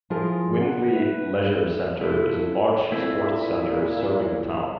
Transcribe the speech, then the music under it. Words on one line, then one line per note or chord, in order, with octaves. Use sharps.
Wyndley Leisure Centre is a large sports centre serving the town.
F3 E4 F4 G#4 A#4
F#5
B4 E5
E4 F4 A4
A#2 A3 C4 E4